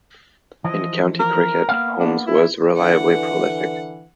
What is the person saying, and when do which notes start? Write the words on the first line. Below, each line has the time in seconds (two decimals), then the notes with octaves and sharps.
In county cricket, Holmes was reliably prolific.
0.64 E3 F3 D#5
1.19 A#4
1.69 A#3 B3 F5
2.00 D4
2.27 E4
2.77 D3 E3 F#5